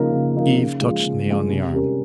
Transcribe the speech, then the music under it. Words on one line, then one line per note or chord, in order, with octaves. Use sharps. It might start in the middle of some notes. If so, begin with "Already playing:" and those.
Eve touched me on the arm.
Already playing: C#3 F3 A#3 D#4 A#4
C#3
F3 A#3 D#4 A#4
C#3
F3 G#3
C#3
F3 G#3
C3
G3 C#4 G4 A#4